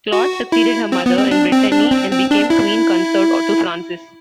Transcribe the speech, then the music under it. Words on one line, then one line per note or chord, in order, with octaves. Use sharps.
Claude succeeded her mother in Brittany and became queen consort to Francis.
F#4
E4
C4
B3
C4
D4
C4
D4
C4
C4
D4
E4